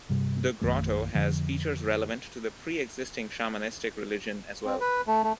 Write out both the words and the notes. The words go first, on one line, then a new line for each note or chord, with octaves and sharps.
The grotto has features relevant to the pre-existing shamanistic religion as well.
G2 C3 G3
A#1 F#2 D#3 A3
F2 D3 F3
C4
B4
A3
A3